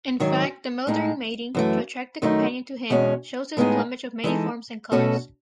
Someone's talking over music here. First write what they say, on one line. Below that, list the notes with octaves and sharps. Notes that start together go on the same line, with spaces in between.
In fact the male during mating, to attract the companion to him, shows his plumage of many forms and colors.
G#2 D#3 F#3
A2 G#3 D#4
F#2 E3 A3
F#2 D#3 A3 D#4
E2 B2 G#3 C#4
A2 G#3 B3 D#4 G#4
E3 G#3 D#4 A4
B2 A3 C#4 F#4 A4